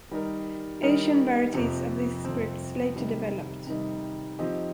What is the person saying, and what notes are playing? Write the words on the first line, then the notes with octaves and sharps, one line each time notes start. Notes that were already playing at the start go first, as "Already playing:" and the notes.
Asian varieties of these scripts later developed.
D#3 G3 D#4 A#4
D#3 G3 D#4 A#4
F2 C3 F3 C4
F2 C3 F3 C4
C3 D#3 G3 D#4
C3 D#3 G3 D#4
F3 C4 D#4 G4 D#5